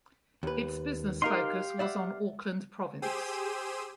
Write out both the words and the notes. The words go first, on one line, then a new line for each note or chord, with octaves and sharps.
Its business focus was on Auckland Province.
D#2 B4
D#4 G4 A#4 F5 C6
D5 E5 F#5
G4 G#4 C5 E6 D#7